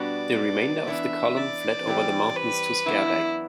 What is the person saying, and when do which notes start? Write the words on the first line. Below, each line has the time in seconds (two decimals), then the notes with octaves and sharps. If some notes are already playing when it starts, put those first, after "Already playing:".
The remainder of the column fled over the mountains to Skerdagh.
Already playing: B2 G3 B3 D4 F#4 D5
0.87 E3 B3 D4 E5
1.37 D5
1.87 E3 G3 C4 G4
2.36 B4
2.86 F#2 E3 B3 D4 E4